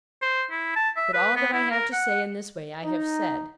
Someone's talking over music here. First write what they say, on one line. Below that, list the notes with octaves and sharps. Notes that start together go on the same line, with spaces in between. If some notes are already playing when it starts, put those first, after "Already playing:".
But all that I have to say in this way, I have said.
C5
E4
A5
E5
B4
B3
E4
A#4
F#5
D#4